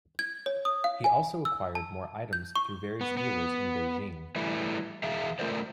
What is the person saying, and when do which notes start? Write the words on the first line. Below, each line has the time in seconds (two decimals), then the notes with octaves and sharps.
He also acquired more items through various dealers in Beijing.
0.19 G#6
0.46 C#5
0.65 D#6
0.84 F5
1.04 G#5
1.45 E6
1.75 A5
2.33 G6
2.56 C#6
3.01 B3
3.17 B3
4.36 E3 G3 A3
5.03 E3 G#4 E5 F5
5.39 A3 F4 A4 A#4 C5 D5